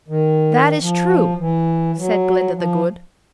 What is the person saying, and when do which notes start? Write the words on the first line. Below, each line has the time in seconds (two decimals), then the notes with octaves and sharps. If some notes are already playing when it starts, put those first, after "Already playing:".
"That is true," said Glinda the Good.
0.08 D#3
0.81 F3
1.39 E3
1.97 F#3
2.55 F3